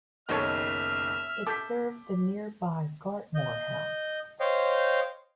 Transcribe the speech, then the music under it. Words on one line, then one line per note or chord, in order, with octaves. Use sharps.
It served the nearby Gartmore House.
F#1 B1 D#3 A4 C#5 D#5 E5 F6
A4 D6 G6 B6
D#5 G6
C5 C#5 D#5 F5 G5